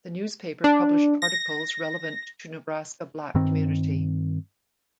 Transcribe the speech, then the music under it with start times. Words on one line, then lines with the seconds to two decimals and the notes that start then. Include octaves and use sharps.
The newspaper published articles relevant to Nebraska black community.
0.64 D4
1.22 A#6
3.35 G2 D#3 C4